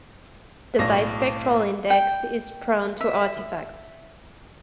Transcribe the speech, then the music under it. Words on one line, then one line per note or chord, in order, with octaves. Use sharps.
The bispectral index is prone to artifacts.
B1 A2 D5 A#6
G5
E5